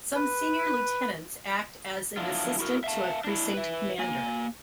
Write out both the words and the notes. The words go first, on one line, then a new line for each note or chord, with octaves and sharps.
Some senior Lieutenants act as an assistant to a precinct commander.
B4
D3 F3 F#3 D4 E4 F4
E4 F#4 A#4
E5 F5 A5
D4 E4
B4 E5
A#3 G#5